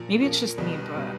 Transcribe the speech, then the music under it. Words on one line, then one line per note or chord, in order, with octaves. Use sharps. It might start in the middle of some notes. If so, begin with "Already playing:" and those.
maybe it's just me, but
Already playing: A#2 F3 A#3
A#2 F3 A#3
B1 B2 G3
B2 G3